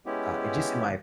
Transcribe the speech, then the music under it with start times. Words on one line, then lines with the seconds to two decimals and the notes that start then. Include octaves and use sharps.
uh, just in my opinion,
0.06 G#3 B3 C#4 E4 G4